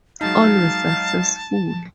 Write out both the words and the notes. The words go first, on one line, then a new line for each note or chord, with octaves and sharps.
All were successful.
F#3 G#3 D#4 F5 A5